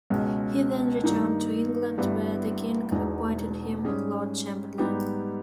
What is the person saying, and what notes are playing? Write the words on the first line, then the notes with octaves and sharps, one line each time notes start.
He then returned to England, where the king appointed him Lord Chamberlain.
C#2 B2 G#3 C#4
G2 D#3 A#3 D#4
G1 G2 G3 B3 E4
E1 E2 B2 G#3 D#4
G#2 G3 C#4 G#4
G#2 G3 B3 D#4 G4